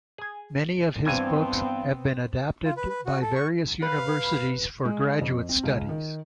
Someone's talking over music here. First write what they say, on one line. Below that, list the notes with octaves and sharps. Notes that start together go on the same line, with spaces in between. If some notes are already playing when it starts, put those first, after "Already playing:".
Many of his books have been adopted by various universities for graduate studies.
G#4 G#5
G2 E3 B3 C4 G#5
F4
B4
B4
F#4
A4
C#6
B4 F5 B5
G#3
F2
C4
C#2
D#3